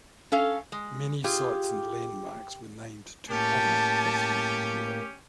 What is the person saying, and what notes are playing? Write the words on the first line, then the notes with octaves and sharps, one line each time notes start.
Many sites and landmarks were named to honour Basile Routhier.
C#4 A4 F5
G#3
F4 G4 G#4
A2 A#3 C#4 G4 A5